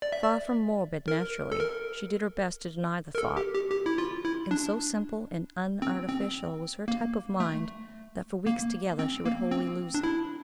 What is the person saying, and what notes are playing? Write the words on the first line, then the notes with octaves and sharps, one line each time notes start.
Far from morbid naturally, she did her best to deny the thought, and so simple and unartificial was her type of mind that for weeks together she would wholly lose it.
D5
E5
D5
A#4
A4
A#4
A#4
A4
G4
G4
G4
E4
F4
E4
D4
C4
C4
A#3
A3
A#3
C4
A#3
C4
D4
E4